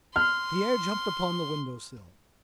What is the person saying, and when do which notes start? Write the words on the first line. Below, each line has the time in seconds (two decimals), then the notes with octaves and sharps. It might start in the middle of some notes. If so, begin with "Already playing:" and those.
Pierre jumped upon the window sill.
0.16 C6 F6